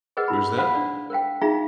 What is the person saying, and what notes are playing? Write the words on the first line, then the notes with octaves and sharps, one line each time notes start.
Who's that?
G#4 A#4 B4 D#5 F#5
E4 B5
C5 F5 F#5 B5
D4 D5
A#4 C5 F5 G5
D#4 F4 G#4 E5 F5 A#5